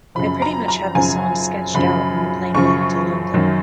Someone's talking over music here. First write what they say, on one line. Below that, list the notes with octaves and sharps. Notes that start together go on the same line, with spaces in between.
I pretty much had the song sketched out on the plane back to London.
F#2 C#3 F3 B5
A#5
A#5
F#2 C#3 F3 G#5
F#2 C#3 F3 B5
F#2 C#3 F3 C#6
F#2 D#3 F#3